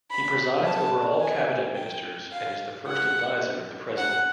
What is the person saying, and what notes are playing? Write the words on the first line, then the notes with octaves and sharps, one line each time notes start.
He presides over all cabinet ministers and is the first adviser of the President.
B5
A5
G#5
G5
F5
F#5
F#5